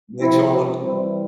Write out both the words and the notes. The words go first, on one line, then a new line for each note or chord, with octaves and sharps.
makes all of the
C3 F3 C4 E4
C3 E3 G3 C4 E4